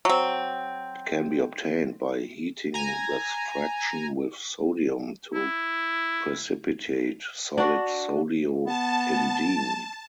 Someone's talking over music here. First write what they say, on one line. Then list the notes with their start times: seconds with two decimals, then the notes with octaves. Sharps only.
It can be obtained by heating this fraction with sodium to precipitate solid sodio-indene.
0.05 F#3 C4
2.74 G#5 A#5
5.35 E4
7.58 D4 F#4
8.66 B3 A5